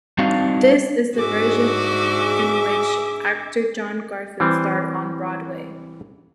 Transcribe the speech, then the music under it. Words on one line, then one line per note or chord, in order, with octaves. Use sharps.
This is the version in which actor John Garfield starred on Broadway.
G3 C4 D4 D#4 F#4 F5
G#2 D4 F#4 G#4 E5 D6
G#4
E3 G3 C4